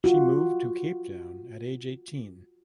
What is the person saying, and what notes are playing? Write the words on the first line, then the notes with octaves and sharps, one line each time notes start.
She moved to Cape Town at age eighteen.
F4 F#4